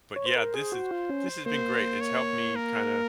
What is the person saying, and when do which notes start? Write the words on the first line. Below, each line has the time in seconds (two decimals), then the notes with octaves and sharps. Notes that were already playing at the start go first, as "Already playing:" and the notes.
but yeah, this has this has been great. It's helped me kinda,
0.16 C#5
0.26 C5
0.36 A#4 C5
0.54 G#4
0.72 F#4
0.91 F4
1.09 C#4
1.45 A#3 C5
2.00 C#5
2.56 A#4